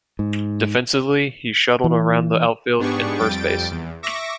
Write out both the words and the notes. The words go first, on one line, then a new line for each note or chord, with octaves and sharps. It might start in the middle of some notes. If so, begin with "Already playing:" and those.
Defensively he shuttled around the outfield and first base.
G#2
E3
G#2 B3 D4 G4 G#4 C#6
F2 G3 G5 A6 D7
E2
E5 C#6 D6 A#6